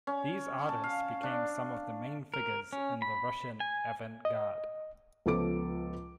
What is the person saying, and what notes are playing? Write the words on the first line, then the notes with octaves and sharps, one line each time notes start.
These artists became some of the main figures in the Russian avant-garde.
C#4
A5
F5
D4
A#4
C#4
B5
G#5
D#5
C#2 F3 B3 A4 D6 D7